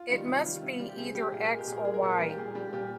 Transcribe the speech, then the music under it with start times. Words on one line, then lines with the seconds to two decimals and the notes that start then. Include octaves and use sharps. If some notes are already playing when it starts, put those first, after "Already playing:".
It must be either "X" or "Y".
Already playing: F4
0.09 D#3 G3
0.27 C3
0.45 D#3 G3
0.62 C3
0.79 G3
0.89 G4
0.97 C3 G#4
1.15 G3 G4
1.32 A#2 G#4
1.41 A#4
1.50 G#3 G#4
1.59 G4
1.67 A#2 G#4
1.77 A#4
1.85 G#3 G#4
1.94 A#4
2.03 A#2
2.20 G3
2.29 G4
2.38 A#2 G#4
2.55 G3 G4
2.73 A#2 G4